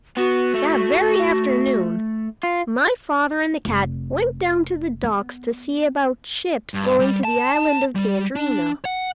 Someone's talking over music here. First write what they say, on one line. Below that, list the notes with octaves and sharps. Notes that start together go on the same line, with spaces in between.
That very afternoon my father and the cat went down to the docks to see about ships going to the Island of Tangerina.
B3 F#4
A3
F4
F1
B3
G2
G3
A5
G3
D4
F#5